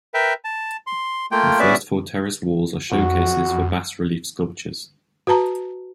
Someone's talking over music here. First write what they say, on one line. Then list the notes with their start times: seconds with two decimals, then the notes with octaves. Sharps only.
The first four terrace walls are showcases for bas-relief sculptures.
0.14 A#4 B4 E5 G5
0.44 A5
0.87 C6
1.32 A3 A#3 F4 G5
1.60 B3 C#4 F#4 B4 D5 E5
2.92 F2 F#4
5.27 F#4 B4 A5 A#5